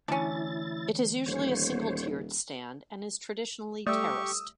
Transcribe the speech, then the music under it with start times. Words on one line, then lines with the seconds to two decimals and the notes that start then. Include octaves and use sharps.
It is usually a single-tiered stand and is traditionally terraced.
0.08 D2 E3 C#4 D4 E4 A6
1.26 D#1 C5 C#5
3.87 G3 A3 G4 C#6 D#6 E6